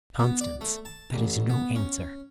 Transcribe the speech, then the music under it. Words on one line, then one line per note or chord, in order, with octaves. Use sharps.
"Constance, that is no answer."
B3
D5
A3
A5
A1
B3
C#4